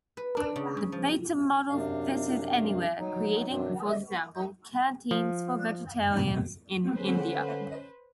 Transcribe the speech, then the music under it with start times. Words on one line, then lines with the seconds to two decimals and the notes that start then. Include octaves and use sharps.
The Bata model fitted anywhere, creating, for example, canteens for vegetarians in India.
0.17 B4
0.37 D4
0.56 C#3
0.77 C#3
0.92 F3
1.70 F#2 C3 D4 F5
2.98 F#3 D#4
3.48 F#2 B2 F#3 D4
5.11 F3
6.95 D3 C#4 B4 C5